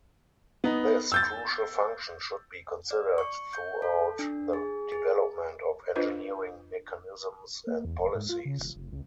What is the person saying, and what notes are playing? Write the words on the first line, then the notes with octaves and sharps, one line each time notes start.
This crucial function should be considered throughout the development of engineering mechanisms and policies.
B3 D#4
E6 G6 A6
D5
C#6
G6
A4
D4
G#4
G#4
D4 F4 B4 C5 D#5
A#3
E2
F1
G#2
F4
C#3
E1
F1
C#2